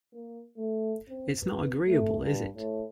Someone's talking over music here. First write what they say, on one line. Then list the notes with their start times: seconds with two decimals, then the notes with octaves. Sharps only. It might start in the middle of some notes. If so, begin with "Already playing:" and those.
It's not agreeable, is it?
0.13 A#3
0.57 A3
1.08 C4
1.42 B4
1.86 A3
2.20 G2
2.56 A2